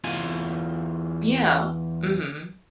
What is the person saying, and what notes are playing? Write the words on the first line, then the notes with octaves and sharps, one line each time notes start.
Yeah. Mhm.
E2 F4 G#5